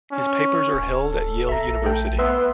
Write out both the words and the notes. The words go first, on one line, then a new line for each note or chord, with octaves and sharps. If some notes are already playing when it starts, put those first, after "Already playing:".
His papers are held at Yale University.
C#4
D1
A4
A#1 E5 A#5
A3 G5
B3 B4 E5 C6